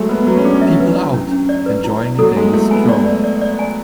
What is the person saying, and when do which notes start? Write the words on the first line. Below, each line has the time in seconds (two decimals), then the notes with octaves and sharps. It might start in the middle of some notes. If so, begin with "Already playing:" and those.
People out enjoying a daily stroll.
Already playing: F#3 G#3 A3
0.09 B3 B4
0.27 F#3 B4
0.37 C#4
0.44 D4 G#4
0.61 F#3 E5
0.80 B4
0.97 E4
1.14 C#4
1.32 C#4
1.49 D5
1.66 B4
1.84 E4
2.01 D5
2.19 F#3 A4
2.37 G#3 G#5
2.53 A3 E4
2.71 B3 G#5
2.88 A3 D5
3.06 D5
3.24 D5
3.42 D5
3.59 G#5